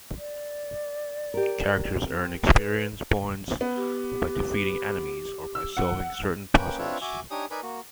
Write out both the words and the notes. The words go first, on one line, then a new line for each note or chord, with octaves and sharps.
Characters earn experience points by defeating enemies or by solving certain puzzles.
D5
G4 A#4
C4
B4
B3
G4
E6
F#5
A#3 C#4 B4 G5
C4 D4 F4 B4 C#5 E5
F#4 E5 G#5 D6
D4 D#4 G4 C#5 G#5 D#6
D#4 A#4 B4 D5 G#5 B5
A#3 F#4